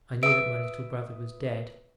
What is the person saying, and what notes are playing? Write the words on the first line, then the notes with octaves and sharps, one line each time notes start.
I knew that my little brother was dead.
B4 E5 D#6 D7